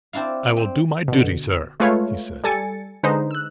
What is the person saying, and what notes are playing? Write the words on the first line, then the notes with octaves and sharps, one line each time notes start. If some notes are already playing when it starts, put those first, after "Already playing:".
"I will do my duty, sir," he said.
C4 D4 E4 F5
C4
B2 D3
G#3 A3 F4 B4 C#5 F5
G3 A4 G#5 A6 C#7
D3 G#3 D#4 B4 C5
E6 F#6